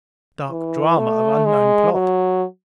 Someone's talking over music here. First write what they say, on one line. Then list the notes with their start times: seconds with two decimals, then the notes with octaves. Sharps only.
Dark drama of unknown plot!
0.50 E3
0.98 A3
1.46 G#3
1.93 F#3